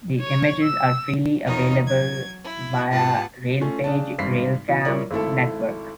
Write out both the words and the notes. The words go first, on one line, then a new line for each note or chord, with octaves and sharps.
The images are freely available via Railpage Railcam Network.
C#5
E6
E2 D#3 D#4 F4 C#5 D#5
F#3 G#6
E4
G#2 B3 F4 G4 F#5 A5
A3 C#4 F4
C#3 D4 A5
G#1 G2 B6 C7
B2 E3
G3 E4 F4 A#4 C#5 D5
G#1 A3 E4 A4